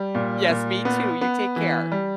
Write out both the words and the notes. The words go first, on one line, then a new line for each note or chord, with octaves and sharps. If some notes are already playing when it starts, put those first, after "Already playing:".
yes, me too, you take care.
Already playing: G3
A#2
A#2
B3
B3
E3
G3